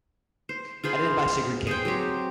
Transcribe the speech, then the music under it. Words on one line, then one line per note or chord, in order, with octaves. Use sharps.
Edited by Sigrid King.
C5
F4 G#4 C5 B5
G#4 C5 G5
F#3 C4 G4